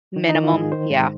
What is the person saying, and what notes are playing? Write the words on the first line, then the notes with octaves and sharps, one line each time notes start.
Minimum, yeah.
D#3 D#4
D#4
D#3
F4
G#2 G#4
D#3 C5
G#2